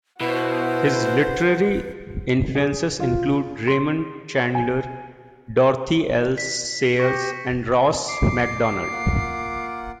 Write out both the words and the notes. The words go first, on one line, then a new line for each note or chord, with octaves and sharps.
His literary influences include Raymond Chandler, Dorothy L. Sayers, and Ross Macdonald.
B2 E4 F#4 B4 C5
G#4
F4
C6
G#5
B6
G4 C#6 A#6 C#7
D6 C7
A#3 F4 F#5